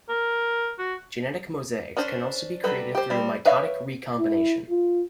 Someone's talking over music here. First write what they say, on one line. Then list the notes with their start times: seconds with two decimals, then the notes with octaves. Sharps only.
Genetic mosaics can also be created through mitotic recombination.
0.09 A#4
0.78 F#4
1.97 C#4 D4 C5
2.64 F#3 G3 A4 B4
2.95 G4 C5
3.10 G3 C4
3.45 B4 C#5 E5 F5
4.19 E4
4.70 F4